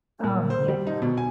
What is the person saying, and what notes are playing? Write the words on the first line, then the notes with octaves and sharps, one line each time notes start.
Oh, yeah.
A#2
C5
G3
D#4
B2
G#5